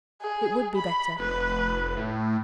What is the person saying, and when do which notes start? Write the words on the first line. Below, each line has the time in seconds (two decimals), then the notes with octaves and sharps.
It would be better.
0.21 G#4
0.76 B5
1.19 F1 B4
1.97 A2